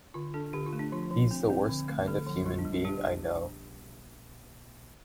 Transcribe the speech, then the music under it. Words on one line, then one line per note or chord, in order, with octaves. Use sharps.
He's the worst kind of human being I know.
D3 F4
D4 A4
D3 G4
F4
A3
D4
F3 F4
F3
C4
C4
D3
A3
D3 A4
F3
G3 F4
D4
G3
D4 G4